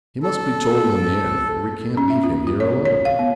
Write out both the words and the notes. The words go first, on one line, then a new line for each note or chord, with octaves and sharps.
"He must be told in the end, for we can't leave him here alone."
A4
C#4
E5
F4
F4
C#5
C#5
F5
B3